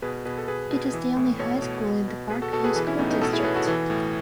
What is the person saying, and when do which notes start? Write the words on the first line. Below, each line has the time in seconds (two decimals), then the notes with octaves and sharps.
It is the only high school in the Parkview School District.
0.02 B2 G#4 B4
0.25 B2 G#4 B4
0.38 A4
0.48 B2 G#4 B4
0.71 B2
0.93 E3
1.17 A2
1.39 B2 A4 C#5
1.62 B2
1.85 B2
2.08 B2
2.30 B2 G#4 B4
2.42 F#4 A4
2.53 B2 F#4 A4
2.64 G#4 B4
2.76 E3 G#4 B4
2.87 C#4 E4
2.99 A2 B3 D#4
3.10 B3 D#4
3.21 B2 F#4 A4
3.33 E4 G#4
3.39 C#5
3.44 B2 G#4 B4
3.56 F#4 A4
3.68 E3
3.90 A2